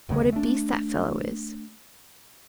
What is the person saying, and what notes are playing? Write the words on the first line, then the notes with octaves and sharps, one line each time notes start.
'What a beast that fellow is.
F1 D2 C#3 G#3
A3 D4